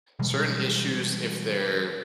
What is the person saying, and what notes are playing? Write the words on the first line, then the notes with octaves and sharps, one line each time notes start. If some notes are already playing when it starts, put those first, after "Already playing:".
certain issues, if they're
B2 E3 G3 G#3